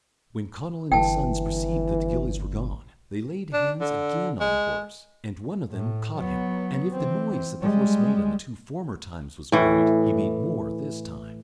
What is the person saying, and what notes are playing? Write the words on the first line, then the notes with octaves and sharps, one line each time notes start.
When Conall and his sons perceived that the gillies were gone, they laid hands again on the horse, and one of them caught him; and if the noise that the horse made on the two former times was great, he made more this time.
G1 E3 G5 A5
D4
D3
G#3
A2
F#3 B3
E3 C4
G3 G#3
A2 E3